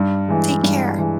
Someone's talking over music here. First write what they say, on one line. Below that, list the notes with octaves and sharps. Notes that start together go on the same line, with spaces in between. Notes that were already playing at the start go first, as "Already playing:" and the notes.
Take care.
Already playing: G2
E3 G#3
G2
E3 G#3